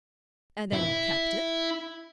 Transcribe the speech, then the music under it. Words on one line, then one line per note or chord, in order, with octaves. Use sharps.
"And then kept it?"
E4